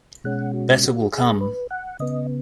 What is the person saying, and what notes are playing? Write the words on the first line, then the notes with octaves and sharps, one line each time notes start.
Better will come.
B2 G#3 C#4 F#5
F#4
F#4
G#4
B4
F#5
C#3 B3 D#5